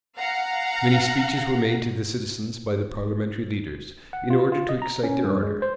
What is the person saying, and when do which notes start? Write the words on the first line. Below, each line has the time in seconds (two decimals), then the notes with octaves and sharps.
Many speeches were made to the citizens by the parliamentary leaders, in order to excite their ardor.
0.16 F5 F#5 A#5
4.13 F#5
4.30 F4
4.52 F4
4.69 D#5
4.82 A#5
5.03 C#4
5.24 G2
5.43 G#3
5.62 C5